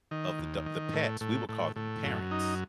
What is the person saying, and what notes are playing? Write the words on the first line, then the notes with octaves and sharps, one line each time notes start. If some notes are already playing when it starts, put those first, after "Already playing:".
of the do the pets, we would call them parents.
D#3
D#2
D#3
A2
A2
A2
A2
F#2
D#4